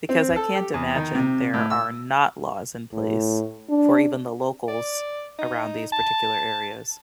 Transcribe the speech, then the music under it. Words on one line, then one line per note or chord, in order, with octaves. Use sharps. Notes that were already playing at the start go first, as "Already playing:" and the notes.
because I can't imagine there are not laws in place for even the locals around these particular areas.
C4
A4
G4
E2
D#3
C3
A2
E6
A2
D4
D5
D#4
A5